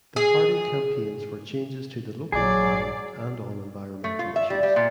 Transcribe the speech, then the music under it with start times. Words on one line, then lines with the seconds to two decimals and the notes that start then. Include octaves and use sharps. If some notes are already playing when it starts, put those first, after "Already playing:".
The party campaigns for changes to the Local Plan and on environmental issues.
0.16 G#4
2.32 A#1 D3 F#3 G#4 D5
4.04 A3
4.19 F4
4.36 E5
4.50 G3
4.63 G3
4.76 A#2